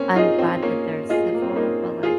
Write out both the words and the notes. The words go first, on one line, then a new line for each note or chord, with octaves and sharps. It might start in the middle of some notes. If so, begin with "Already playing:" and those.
I'm glad that they're civil, but, like,
Already playing: A#3 C4 C#4
D#4 F4 G#4 D#5
C4
A#3 C#4
F4 G#4 D#5
A#3
C4
C#4
A#3 D#4
F4 G#4